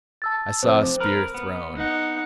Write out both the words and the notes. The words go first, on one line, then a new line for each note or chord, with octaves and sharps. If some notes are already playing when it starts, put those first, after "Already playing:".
I saw a spear thrown.
A5 E6 A6
F2 C3 C5
A#4 B4 F6
B3
D#4 F#5